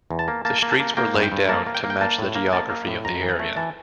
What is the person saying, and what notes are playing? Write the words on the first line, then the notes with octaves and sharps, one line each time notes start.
The streets were laid down to match the geography of the area.
E2
A5
A#3
A#3 A5
A#3
A5
A#3
A#3 G5
G2
G5
G2
A#3 A5
A#3
G5
A#3
G5
A#3 A5
A2
A#3
A#3 A5
A#3
A2
F2 A#5
E3
A3
E3 A5